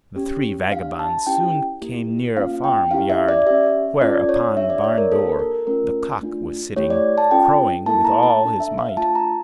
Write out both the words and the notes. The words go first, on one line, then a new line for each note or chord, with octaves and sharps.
The three vagabonds soon came near a farmyard, where, upon the barn door, the cock was sitting crowing with all his might.
C#4 G4
D4 G4 F5
A5
C#4 E4 G4 G5
A#3 E4 G4
A#3 C#4 F4 F5
G5
C#4 E4 G4 F5
E5
D5
C#4 G4 E5
C#4 F4 A4 D5
C#5
D4 G4 E5
D5
C#5
A#4
A#3 D4 G4 A4
A#4
A3 C#4 F4 A4 A#4
A3 D4 F4
A3 E4 G4 C#5
D5
A5
C#4 F4 A4 G5
A#3 E4 A4 A5
A#5
A5
D4 A4
E5
F5
A3 D4 F4 A5
A#5